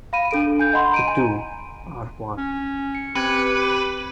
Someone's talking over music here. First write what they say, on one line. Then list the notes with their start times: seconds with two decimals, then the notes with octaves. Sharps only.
The two are one.
0.13 F5 B5 D#7
0.31 D4 A4 D7
0.59 G#5 G6
0.73 D#5 F#5 B5 C6
0.92 A#5 D7 D#7
1.08 G#5
2.38 C#4
2.95 C#7
3.15 C4 G4 B4 G#6 C#7